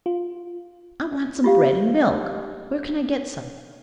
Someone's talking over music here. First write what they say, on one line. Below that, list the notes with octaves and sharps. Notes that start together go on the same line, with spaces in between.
"I want some bread and milk. Where can I get some?"
F4
F4 G4 F5